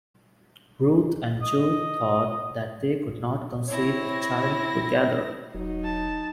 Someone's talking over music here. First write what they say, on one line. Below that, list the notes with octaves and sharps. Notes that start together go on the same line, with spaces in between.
Ruth and Joe thought that they could not conceive a child together.
D#5
C4 E4 C#5 A#6
E1 F#3 D#4
A5